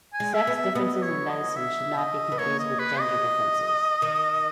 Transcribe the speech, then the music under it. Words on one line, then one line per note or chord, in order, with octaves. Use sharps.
Sex differences in medicine should not be confused with gender differences.
G#5
G#3
E5
B3
E5
B3 D#5
C#5
D#5
E5
D#5
B3
A#3 C#5
D#5
B4
D#5
D#3